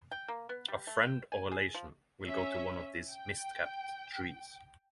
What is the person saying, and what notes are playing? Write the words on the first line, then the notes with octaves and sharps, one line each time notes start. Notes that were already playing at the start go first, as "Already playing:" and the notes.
A friend or relation will go to one of these mist-capped trees.
G5
A#3
B3
G3
A3
G5
G#5
G#4
F3
C#4 E5
G5